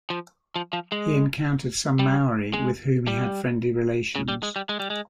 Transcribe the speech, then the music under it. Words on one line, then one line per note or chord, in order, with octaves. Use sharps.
He encountered some Maori with whom he had friendly relations.
F3
F3
F3
G#3
G3
G#3
G3
C#3
G3
G#3
G3
G#3
G3
G#3